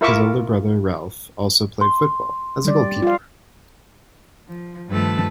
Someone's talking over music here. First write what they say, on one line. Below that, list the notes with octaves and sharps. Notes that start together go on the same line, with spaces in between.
His older brother, Ralph, also played football, as a goalkeeper.
E4 F4 A#4 E5 C#6 D6
C6
G3 D5
F4 F5
F3
G2 D#3 F3 A3 B4 A5